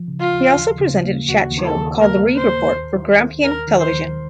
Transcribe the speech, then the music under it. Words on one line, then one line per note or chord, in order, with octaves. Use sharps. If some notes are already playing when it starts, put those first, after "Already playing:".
He also presented a chat-show called the "Reid Report" for Grampian Television.
Already playing: F3
C#3
F4
D#2
D#2
C#3
A#3
D#2 F#4
D#2
A4
D#2
A#3 A#4
A#3
C5
D#2
D#2
D#3
D#3
D#2 A#4
D#3
C5
D#2